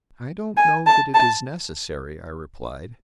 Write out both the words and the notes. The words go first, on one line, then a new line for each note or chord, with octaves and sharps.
"I don't know that it is necessary," I replied.
G#5
A5
A5